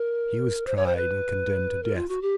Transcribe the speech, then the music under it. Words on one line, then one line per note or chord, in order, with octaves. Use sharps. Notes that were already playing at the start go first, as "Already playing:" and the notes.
He was tried and condemned to death.
Already playing: A#4
C5
C#5
C5
B4
A#4
F4
F#4
G4